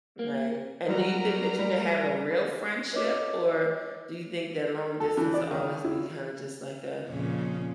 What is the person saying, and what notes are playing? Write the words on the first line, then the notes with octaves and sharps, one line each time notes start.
Right, and do you think that you can have a real friendship, or do you think that long distance will always be kind of just like a,
A#3
F#3 G3 F#4 A#4 B4 A#5
G3
B4 C#5 D#5 D6
A4
E3
D5
D#3
E4
F2 A#2 C#3